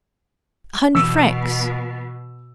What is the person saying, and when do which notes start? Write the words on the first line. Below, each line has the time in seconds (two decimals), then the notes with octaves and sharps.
"A hundred francs."
0.95 B2 E3 E6